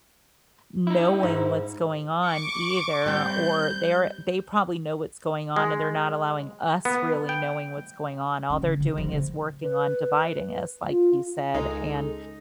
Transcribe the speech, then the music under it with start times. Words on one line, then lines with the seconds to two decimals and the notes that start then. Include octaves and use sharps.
knowing what's going on either, or they're they probably know what's going on, and they're not allowing us really knowing what's going on. All they're doing is working on dividing us, like you said, and
0.87 D#4 E4
1.23 G#2
2.26 C#6 D6
3.06 G3 C4 G6
5.56 G#3
6.85 B3
7.29 G5
8.50 D2 C#4
8.62 D3
8.80 C#3
8.98 F3 A3
9.12 C#3
9.62 B4
10.89 F4
11.54 C#2 G#3 D#4 A4